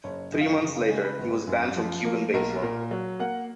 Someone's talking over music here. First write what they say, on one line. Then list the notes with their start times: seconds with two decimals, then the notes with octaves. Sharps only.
Three months later, he was banned from Cuban baseball.
0.04 F#1 C#5
0.32 F#2 D#5
0.40 F5
0.47 D#5
0.61 C#3 D#5
0.75 F5
0.89 G#3 D#5
1.04 B4
1.19 G#1
1.47 F#2
1.76 F3
2.05 A#3
2.34 B1 A#4
2.62 A#2 A#4
2.91 F#3
3.19 A#3 F#5